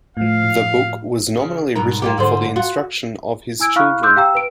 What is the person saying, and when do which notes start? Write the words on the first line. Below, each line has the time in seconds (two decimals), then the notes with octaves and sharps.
The book was nominally written for the instruction of his children.
0.17 A2 F3 F5
1.37 C#3
1.75 G#2 B2 A#4
2.02 A#3 F4 G4
2.18 G#2 D3 C5
2.56 F4 F#4
3.60 E4 G#5 E6 G#6 D7
3.76 E4 F5 B5 C#6 F6 F#6
4.03 C6 D6 E6 F#6 G6
4.16 G4 F5 G5 A#5 E6
4.35 B4 D7